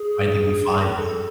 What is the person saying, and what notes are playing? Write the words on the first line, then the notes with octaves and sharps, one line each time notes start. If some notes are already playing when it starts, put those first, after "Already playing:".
finding new finds.
Already playing: G#4
A4